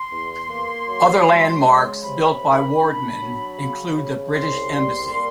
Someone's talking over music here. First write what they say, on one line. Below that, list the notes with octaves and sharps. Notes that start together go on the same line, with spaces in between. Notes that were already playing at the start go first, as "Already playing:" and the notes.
Other landmarks built by Wardman include the British Embassy.
Already playing: C6
E2
A#3
F#3
G#3
C#3
C3 B5
D#3
D4
F#3
C#3
C#3
C2 C6
G3
A#3